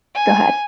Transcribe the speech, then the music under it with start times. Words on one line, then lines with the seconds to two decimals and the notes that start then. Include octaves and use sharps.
Go ahead.
0.15 G#5